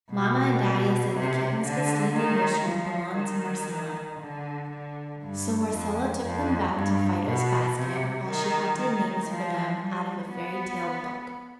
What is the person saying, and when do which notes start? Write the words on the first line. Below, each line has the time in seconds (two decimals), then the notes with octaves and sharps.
Mamma and Daddy said the kittens could stay in the nursery and belong to Marcella, so Marcella took them back to Fido's basket while she hunted names for them out of a fairy tale book.
0.11 B2
1.13 C3
1.63 D3
2.15 D#3
2.65 F3
3.17 D#3
4.19 D3
4.70 D3
5.22 G2
5.73 F2
6.24 F2
6.74 G2
7.26 B2
7.77 C3
8.27 D#3
8.78 D#3
9.30 F3
9.81 G3
10.31 B3